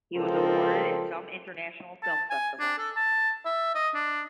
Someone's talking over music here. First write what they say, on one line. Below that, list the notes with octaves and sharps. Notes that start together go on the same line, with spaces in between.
He was awarded at some international film festivals.
C#2 F3 C4 F4 A4 A#4
A5
G#5
D4
A4
A5
E5
D#5
D4